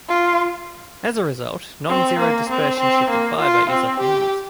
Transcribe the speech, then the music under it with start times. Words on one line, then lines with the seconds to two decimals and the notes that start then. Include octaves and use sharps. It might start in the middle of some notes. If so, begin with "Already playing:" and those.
As a result, nonzero dispersion shifted fiber is often used.
0.08 F4
1.89 C4
2.19 A#3
2.49 C4
2.80 C4
3.10 A#3
3.40 F4
3.70 C4
4.00 G4